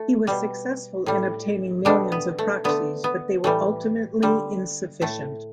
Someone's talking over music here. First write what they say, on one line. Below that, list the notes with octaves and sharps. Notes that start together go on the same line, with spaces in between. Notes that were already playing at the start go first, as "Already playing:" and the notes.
He was successful in obtaining millions of proxies but they were ultimately insufficient.
Already playing: A3
B2 G3
A2 G3
B2 G3 A3 D4
B3
A3
D3 A3 B3
B3
A2 E3 G3 A3
D3 G3
A2 A3